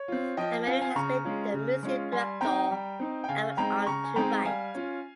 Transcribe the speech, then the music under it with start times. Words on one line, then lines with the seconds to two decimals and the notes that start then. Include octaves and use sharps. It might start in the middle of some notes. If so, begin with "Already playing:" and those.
Ameri has been the museum director and went on to write.
Already playing: C#5
0.08 C4 F4
0.37 F3 D#5 G5
0.66 C4 F4 F5 G#5
0.81 F5 G#5
0.95 C#3 A#5 C#6
1.24 G#3 C#4 F4
1.54 C#3
1.83 G#3 C#4 F4
2.12 G3 G#5 C6
2.41 C4 D#4 G5 A#5
2.71 G3
2.99 C4 D#4
3.24 G5
3.28 C#3 F5 G#5
3.57 G#3 C4 D#4 G5 A#5
3.87 C#3 A#5 C#6
4.04 G#5
4.16 G#3 C4 D#4 G5 A#5
4.45 G3 F5 G#5
4.75 C#4 F4